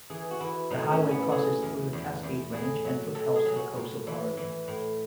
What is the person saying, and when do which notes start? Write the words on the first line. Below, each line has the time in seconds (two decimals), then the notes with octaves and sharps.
The highway crosses through the Cascade Range and foothills to the coast of Oregon.
0.10 E3 G#4
0.31 F#4
0.40 E3 E4
0.71 A2 D#4
0.91 C#4
1.02 E3
1.11 B3
1.23 A4
1.32 F#3 G#4
1.63 E2
1.93 E2
2.23 E2
2.54 A2 G#4
2.85 F#3
3.15 F#3 A4
3.36 G#4
3.46 F#3
3.56 F#4
3.76 A2
4.07 E3
4.37 E3
4.68 A2